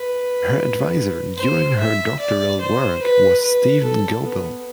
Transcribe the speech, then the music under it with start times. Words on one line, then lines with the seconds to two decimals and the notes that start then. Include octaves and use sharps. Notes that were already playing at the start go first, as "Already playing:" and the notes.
Her advisor during her doctoral work was Steven Gobel.
Already playing: B4
1.38 C5
1.79 E5
2.20 D5
2.61 C5
3.02 B4
3.42 B4
3.83 A4
4.24 B3